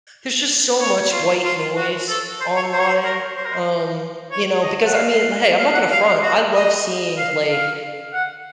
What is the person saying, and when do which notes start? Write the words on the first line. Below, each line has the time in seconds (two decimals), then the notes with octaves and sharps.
there's just so much white noise online, um, you know, because I mean, hey, I'm not gonna front. I love seeing like,
0.81 C#5
1.12 F4
1.44 F4
1.77 F#4
2.09 A4
2.41 C5
2.57 C#5
2.72 C5
2.79 C#5
2.88 C5
3.04 A#4
3.36 C5
3.45 A#4
3.53 C5
4.32 C#5
4.63 D#5
4.86 F#5
4.95 F5
5.59 F5
5.74 F#5
5.91 F5
6.22 F#4
6.54 D#5
7.18 F5
7.50 F5
8.13 F#5